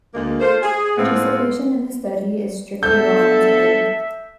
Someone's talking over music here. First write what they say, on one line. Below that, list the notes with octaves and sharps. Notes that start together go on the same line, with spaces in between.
Participation in the study is strictly voluntary.
D2 G#3 A#3
A3 F4 C5
G#4
A2 F3 G#3 B3 C4
A3 B3 D4 A4 E5 G6